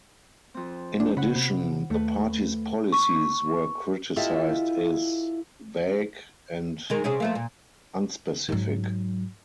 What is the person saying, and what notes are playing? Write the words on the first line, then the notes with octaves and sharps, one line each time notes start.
In addition, the party's policies were criticised as vague and unspecific.
F2 C4
D4
C#3 F#5 B5
C3
D#2 A3 B4
C#6
E4 F4 G4 A4 D#5 E5
D#3 G#3 A#4
C3 C#4 G#4
F3 A3 A#3
A#2
G#2 F#3